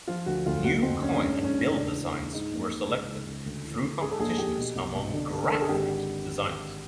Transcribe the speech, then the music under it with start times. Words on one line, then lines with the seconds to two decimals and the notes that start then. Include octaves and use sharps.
New coin and bill designs were selected through competitions among graphic designers.
0.08 F3 F4
0.26 D2 F#4
0.46 D2 F4
0.64 F#1 F#4
0.82 F2 C4
1.02 F2 C#4
1.12 D4
1.20 G#2 C#4
1.34 G#2 D4
1.44 C#4
1.58 A1
1.77 C#3 D4
1.95 E3
2.14 C#2
2.33 G#2 D#4
2.51 A#1
2.70 G#2
2.89 C#2
3.07 C#2
3.27 C#2
3.46 D2
3.64 E3
3.82 D2
4.01 G#2 G#4
4.11 A4
4.20 A#1 G#4
4.38 A#1 G4
4.58 B2
4.76 C2
4.95 B2
5.13 D3
5.32 D3
5.44 A#4
5.51 D3 A4
5.62 G#4
5.69 G#1 G4